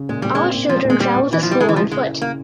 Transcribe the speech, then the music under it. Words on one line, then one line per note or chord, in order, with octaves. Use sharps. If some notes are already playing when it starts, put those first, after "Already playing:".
All children travel to school on foot.
Already playing: C#3
A#2 G#3
A#2 G3
G#3 C4
A#2
F3 C4
A#2 G#3
A#2 G3
A#2
E3 E4
F3 E4
G3
C#3 G#3
E3
F3 E4
C#3 G#3
E4
C#3 A#3